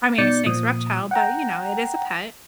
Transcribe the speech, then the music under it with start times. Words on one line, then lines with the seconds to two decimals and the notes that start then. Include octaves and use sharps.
I mean, a snake's a reptile, but, you know, it is a pet,
0.18 B2 D#4 D5 G6 A6 C#7
0.46 A#2 F3 D#6
1.11 F#5 G5 A#5